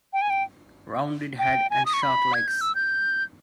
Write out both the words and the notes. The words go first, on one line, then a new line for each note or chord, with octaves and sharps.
Rounded head and short legs.
G5
G#5
G5
G5
G#5
D#6
C#6
B5
G#6
G6
E6
G6